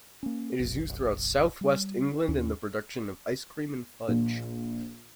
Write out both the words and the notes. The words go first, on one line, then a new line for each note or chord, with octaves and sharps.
It is used throughout southwest England in the production of ice cream and fudge.
A#3 C#4
F#1 B1
G3
D#2 C#4 D4
A#1